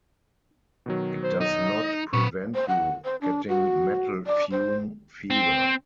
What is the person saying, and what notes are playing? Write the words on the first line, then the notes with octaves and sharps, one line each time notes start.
It does not prevent you getting metal fume fever.
B2 D#3 F#3
C5
D#4 D#5
A#2 C4 B4 C#6
C5
F#5
C5
D4
F#4
D5
C5
C4